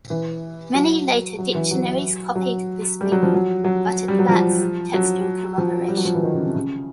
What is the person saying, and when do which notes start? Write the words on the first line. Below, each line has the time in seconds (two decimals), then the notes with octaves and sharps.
Many later dictionaries copied this meaning, but it lacks textual corroboration.
0.10 E3
0.75 F#3
1.38 F#3
1.55 E3
1.71 F#3
2.35 F#3
3.01 G3
3.12 F#3
3.23 F3
3.34 F#3
3.64 F#3
4.08 G3
4.19 F#3
4.28 F3
4.94 F#3
5.58 F3
5.88 G3
5.97 F#3
6.05 F3
6.15 E3
6.23 D#3
6.34 C#3
6.44 C3
6.55 C#3